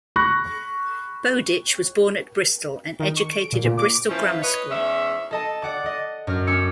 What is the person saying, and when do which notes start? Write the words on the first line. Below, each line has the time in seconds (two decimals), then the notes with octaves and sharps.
Bowdich was born at Bristol and educated at Bristol Grammar School.
0.16 B5 C#6 F#6 A#6
3.00 D#3
3.17 C#6
3.32 D7
3.52 A#2
3.65 A#2
3.78 D6
4.09 E3 F3 C#4 E4 F4 B4
4.42 B4 C#5 D#5
4.70 E2 G#2 C#4 E5
5.31 A4 D#5 A5
5.62 D5 F#5 D6
5.86 D#5
6.27 F#2 F6
6.47 C#4 D6 E6 C#7